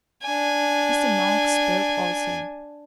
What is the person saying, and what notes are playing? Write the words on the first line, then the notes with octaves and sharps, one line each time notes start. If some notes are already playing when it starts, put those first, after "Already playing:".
Mr. Monk spoke also.
D4 G#5